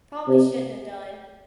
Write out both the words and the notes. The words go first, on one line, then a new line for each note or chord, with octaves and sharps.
probably shouldn't have done.
C3